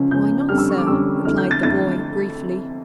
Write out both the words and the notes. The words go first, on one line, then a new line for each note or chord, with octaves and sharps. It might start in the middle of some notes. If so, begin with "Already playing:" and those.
"Why not, sir?" replied the boy briefly.
Already playing: C#2 C#3 F3 C#4
C#2 C#3 F3 C#4 G6
F2 D3 G3 C#4 F6
E6
C#6
D6
F2 D3 G3 C#4 E6
F2 D3 A3 E4 F6
G6
A6
F2 D3 A3 E4 A6